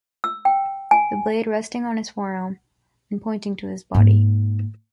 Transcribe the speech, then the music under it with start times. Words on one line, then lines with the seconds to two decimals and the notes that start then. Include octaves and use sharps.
The blade resting on his forearm and pointing to his body.
0.24 E6
0.45 G5
0.91 G#5
3.95 G#2 A#3